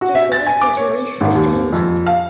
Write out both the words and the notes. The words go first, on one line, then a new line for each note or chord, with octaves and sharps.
His wife was released the same month.
F#4
E5
A6
G#5
D6
C#5
G#1
D#2
F2
F5